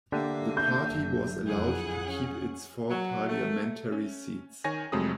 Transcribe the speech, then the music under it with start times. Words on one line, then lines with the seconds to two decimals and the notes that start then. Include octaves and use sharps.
The party was allowed to keep its four parliamentary seats.
0.12 D3 A#3 D4 G4 E5
0.57 G6
0.87 F#1
1.46 F2 E4 G#4 F#5 F#6
2.04 C#4
2.90 F#3
3.29 A3
3.92 C#4
4.64 D#3 C#5 G#5 A#6
4.92 F2 C3 F#3 G#3 A3 D#6